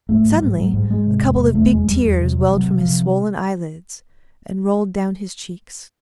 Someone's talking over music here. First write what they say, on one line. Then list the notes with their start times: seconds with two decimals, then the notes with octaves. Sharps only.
Suddenly a couple of big tears welled from his swollen eyelids, and rolled down his cheeks.
0.09 G#2 A3
0.25 G#2
0.33 G3
0.42 G#2
0.57 G#2 F#3
0.74 G#2 G3
0.90 G#2 G#3
1.07 C3
1.23 E2
1.39 C3
1.55 E2 A3
1.71 E2 G#3
1.87 E2 G3
2.04 E2
2.20 C3
2.36 C3
2.52 C3 F#3
2.69 C3
2.77 F3
2.85 C3